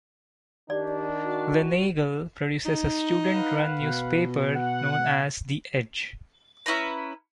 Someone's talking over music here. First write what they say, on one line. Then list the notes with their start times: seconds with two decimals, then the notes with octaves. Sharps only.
Gleneagle produces a student-run newspaper known as The Edge.
0.70 D#3 D4 G4 D5
1.23 F#4
2.65 D#4
3.28 B4 F5 F#5
3.79 B2
4.54 F#5
6.66 C#4 E4 B4 A#5